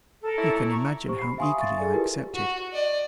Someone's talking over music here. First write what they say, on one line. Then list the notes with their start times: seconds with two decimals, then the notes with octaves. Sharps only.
You can imagine how eagerly I accepted.
0.22 A4 A#4
0.37 A#2 C#4 E4
0.68 A#5 C#6
1.07 G4 C5 C#6
1.19 B5 C7
1.38 E5 F5 G#5 C6 C#6 D#6
1.58 E5 C#6 A6
1.78 G#4 A4 D5 G#5
1.93 E4 F4 G4 A#4 B4
2.34 F#4
2.73 D5 D#5